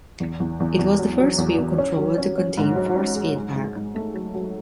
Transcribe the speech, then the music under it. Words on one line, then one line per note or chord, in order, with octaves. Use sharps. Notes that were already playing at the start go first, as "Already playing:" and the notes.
It was the first wheel controller to contain force feedback.
E2
E2
E2
E2
F#3
F#3
E2
E2
C#4
F#3
C#4
C#4
G#2
F#3
C#4
G#4
G#2
G#2
G#2
A3
F#3
F#3